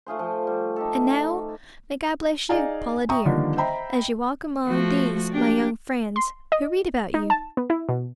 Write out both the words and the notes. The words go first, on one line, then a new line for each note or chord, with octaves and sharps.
And now, may God bless you, Paula dear, as you walk among these my young friends who read about you!
A3 F4 G#4 C5
F3
G3
D#4 G4 A4
D#4 G#4 D5 F5 G#5 A#5
E5 G5 A#5 C#6 D#6
D3 D#3 F3 G3 A#3 D4
C5 D#5 E5 G5 A#5 B5
F3 A3 F#4
D4 G4
C6
D#5
D#4
A5
B3
E4
B2